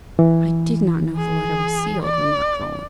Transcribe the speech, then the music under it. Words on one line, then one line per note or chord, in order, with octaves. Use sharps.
"I did not know the letter was sealed," remarked Roland.
E3
G#4
D5